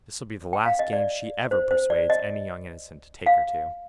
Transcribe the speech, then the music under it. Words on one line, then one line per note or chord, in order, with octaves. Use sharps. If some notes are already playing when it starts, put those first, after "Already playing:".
"This will be the last game she ever persuades any young innocent to take her to!"
G5
F5
D#5
D5
C5
C5
D5
D#5
F5